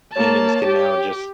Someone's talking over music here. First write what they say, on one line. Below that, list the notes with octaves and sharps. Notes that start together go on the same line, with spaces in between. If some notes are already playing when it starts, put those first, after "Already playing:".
humans can now, just
A#3 C#5 A5
G4